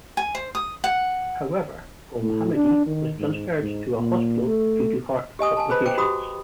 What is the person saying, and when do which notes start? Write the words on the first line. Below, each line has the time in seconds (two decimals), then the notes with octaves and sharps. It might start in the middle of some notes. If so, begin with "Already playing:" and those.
However, Golmohammadi was transferred to a hospital due to heart complications.
0.17 G#5
0.35 C5
0.55 D#6
0.84 F#5
2.21 A2
2.55 D4
2.87 D#3
3.18 G#2
3.62 G#2
3.98 A#2
4.47 A3
5.39 G4 D#5 G#5 D#6
5.57 G#5 A5
5.69 G#4 B4 C5 B5
5.86 C5 G5 D6
5.98 F#4 G4 B5 D#6